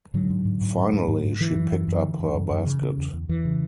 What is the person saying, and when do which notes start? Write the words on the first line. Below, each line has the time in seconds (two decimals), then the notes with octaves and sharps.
Finally she picked up her basket.
0.14 G#2 D3 F#3
0.30 G#2
0.45 G#2
0.61 G#2
0.77 G#2
0.93 G#2
1.08 G#2
1.24 G#2
1.40 D3 E3
1.56 F#2
1.72 F#2
1.88 F#2
2.03 D3
2.19 F#2
2.35 F#2
2.50 F#2
2.66 C#3
2.82 C#3
2.98 E2
3.13 E2
3.29 E2 E3
3.45 C#3